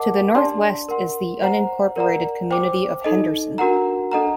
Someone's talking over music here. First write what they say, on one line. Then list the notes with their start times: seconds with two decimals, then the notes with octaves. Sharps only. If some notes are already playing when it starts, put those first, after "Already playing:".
To the northwest is the unincorporated community of Henderson.
Already playing: A#4 D#5 F#5 A5 D6
0.35 D4 G4 D5 A5 C6
0.88 A#4 F#5 C6
1.42 C5 F#5 A#5
1.96 A#4 D5 F#5 A#5
2.51 C5 G5 D6
3.04 D#4 A4 D#5
3.58 D4 F#4 A#4 F#5 A#5
4.12 D4 A4 D#5 F#5 A#5